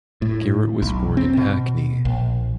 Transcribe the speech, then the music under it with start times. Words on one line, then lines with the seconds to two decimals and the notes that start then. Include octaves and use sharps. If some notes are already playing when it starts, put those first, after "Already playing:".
Garrett was born in Hackney.
0.22 A2
0.82 B1
1.17 C4
1.37 B2
2.05 A#1